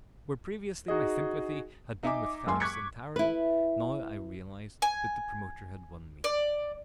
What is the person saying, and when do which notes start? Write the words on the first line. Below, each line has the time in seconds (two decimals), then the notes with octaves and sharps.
Where previously my sympathy had been with Phelps entirely, now I realized that the promoter had won me.
0.88 D#4 F#4 G#4 D#5
2.03 D#4 E5 G#5 D6
2.47 F#1 C#2 G#5 C6
2.60 C#6 D6 F#6 G#6 B6 C#7
3.16 E4 B4
4.82 G#5
6.24 D5